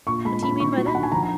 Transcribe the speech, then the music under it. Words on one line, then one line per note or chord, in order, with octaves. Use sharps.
"What do you mean by that?"
A#2 C#6
G#3 B5
A#2 B5
D#3 C#6
F#3
B5
D#3 F#5
G#5
F3 A#5
A#5